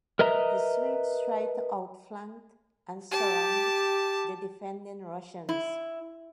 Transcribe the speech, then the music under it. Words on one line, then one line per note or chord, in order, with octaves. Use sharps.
The Swedes tried to outflank and surround the defending Russians.
A#4 B4 D#5 E5 A#5
G4 A5
E4